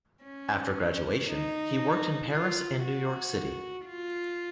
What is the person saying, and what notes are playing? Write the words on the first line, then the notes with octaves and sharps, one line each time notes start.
After graduation, he worked in Paris and New York City.
C#4
D#4
F4
F#4
F4